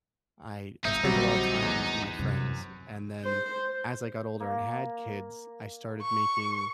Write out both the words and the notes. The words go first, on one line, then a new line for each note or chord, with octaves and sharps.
I I spent a lot of time with my friends. And then, as I got older and had kids, I started making
G1 D#4 E5 D#6 G6
A#1 D3 F#3 G3 C4
E2
F#2 C3
C5
A#3
C#6